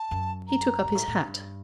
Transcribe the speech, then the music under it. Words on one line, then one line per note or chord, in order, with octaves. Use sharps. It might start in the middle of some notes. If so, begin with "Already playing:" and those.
He took up his hat.
Already playing: A5
F#2
A#5
G#2
A2
A2
G2